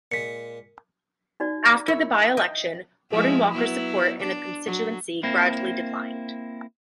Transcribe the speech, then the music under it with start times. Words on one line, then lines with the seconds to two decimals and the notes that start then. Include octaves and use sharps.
After the by-election, Gordon Walker's support in the constituency gradually declined.
0.12 A#2 G#3 B6 C#7
1.40 D#4 F#4 D5
1.88 E4 A#4 C#5 B5
2.37 D#5 G5
3.10 F3 G#3 E4
3.52 F#3 B3 E4
4.20 D4
4.65 F#3
5.23 A#3 C4 E4